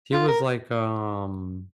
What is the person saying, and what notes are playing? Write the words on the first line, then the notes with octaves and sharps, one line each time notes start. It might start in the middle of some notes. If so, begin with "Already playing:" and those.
he was like, um,
F4
A#4